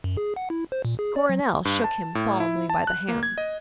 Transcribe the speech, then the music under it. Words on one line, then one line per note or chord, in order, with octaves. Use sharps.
Coronel shook him solemnly by the hand.
F#2
G#4
F#5
E4
C5
A#2
G#4
D5
F#3
G2
A5
A2
E4
A5
F#6
A#3
G#6
D#5